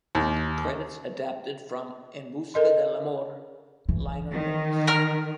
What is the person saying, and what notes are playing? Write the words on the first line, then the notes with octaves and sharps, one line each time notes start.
Credits adapted from "En Busca del Amor" liner notes.
D#2
A4 A#4 D#5 C6
E3
D#3
A#4 F6